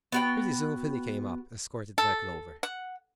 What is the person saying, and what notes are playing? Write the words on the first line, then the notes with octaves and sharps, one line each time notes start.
Pretty soon Philly came up, escorted by Clover.
B3 F#4 G5
A4
F#5